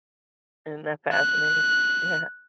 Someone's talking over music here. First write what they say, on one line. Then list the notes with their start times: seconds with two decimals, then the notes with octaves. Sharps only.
Isn't that fascinating? Yeah.
1.13 F#6